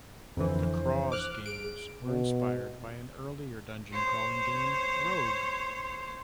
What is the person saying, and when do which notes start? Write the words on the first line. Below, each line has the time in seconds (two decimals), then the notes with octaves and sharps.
The "Kroz" games were inspired by an earlier dungeon crawling game, "Rogue".
0.37 F2 D3 E3 C5
1.12 D6 F6 F#6
1.46 G#4 D7
2.04 B2
3.92 C5 C#5